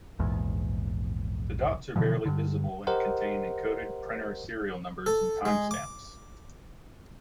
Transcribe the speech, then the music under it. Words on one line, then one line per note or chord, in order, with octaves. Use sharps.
The dots are barely visible and contain encoded printer serial numbers and timestamps.
A#1 E2 G#2
B2 D3 E3 F3
G2 D3
G4 A#4 C5 D#5 F#5
A4
G#3
D6